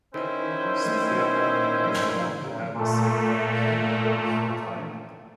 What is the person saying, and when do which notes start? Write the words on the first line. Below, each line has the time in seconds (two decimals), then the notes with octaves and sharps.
Stearman and Northrop had the same parent company at the time.
0.14 D#3 C#4 E4 C5
2.74 A#2 A3